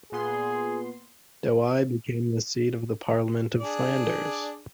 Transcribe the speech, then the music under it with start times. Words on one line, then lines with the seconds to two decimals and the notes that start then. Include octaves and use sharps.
Douai became the seat of the Parliament of Flanders.
0.12 A#2 B3 G#4 C6
3.60 D4 G#4 D5